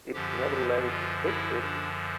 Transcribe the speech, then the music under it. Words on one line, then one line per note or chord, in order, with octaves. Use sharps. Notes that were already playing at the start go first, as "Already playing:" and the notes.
It’s never late to fix it.
F#2 D3 F3 G4
F4
E4
D4